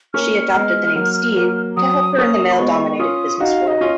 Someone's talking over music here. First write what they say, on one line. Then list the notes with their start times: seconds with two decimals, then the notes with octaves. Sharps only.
She adopted the name, "Steve", to help her in the male-dominated business world.
0.14 A#3 C#4 F6
0.55 G#3 B3
0.95 F#3 A#3
1.36 F#3 A#3
1.77 F#3 D#6
2.18 A#3 C#4 D#6
2.52 B5
2.58 G#3 B3 C#6
2.99 C#4 F4 D#6
3.40 D#4 F#4 F5
3.68 D#5
3.81 C#4 F4